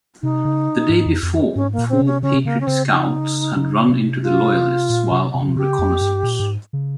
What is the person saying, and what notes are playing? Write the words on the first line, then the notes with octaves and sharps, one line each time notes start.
The day before, four Patriot scouts had run into the Loyalists while on reconnaissance.
C3 D#4
C#3
G#2
F2
F2
G#2 C#4
A#3
A#2
C4
C3
C#4
C#3 C#4
C3
C#3 A#3
C#4
C#3 C4
D#4
C#3
C3
F4
A#2
C3
C3
C#3
C3
C#3 G4
F2
G2
A#2
G#2
C#3